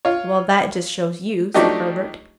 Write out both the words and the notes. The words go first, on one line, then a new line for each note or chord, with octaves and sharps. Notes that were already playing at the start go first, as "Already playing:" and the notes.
"Well, that just shows you," said Herbert.
F4 C#5
F3 F#3 A3 D4 D#4 G4